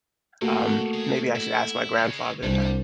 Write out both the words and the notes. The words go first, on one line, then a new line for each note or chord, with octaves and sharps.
Um, maybe I should ask my grandfather that.
B2 A3 A#3 F#4
C#3 G#4
E4
C#3 G#3
C2 G3 D4 C5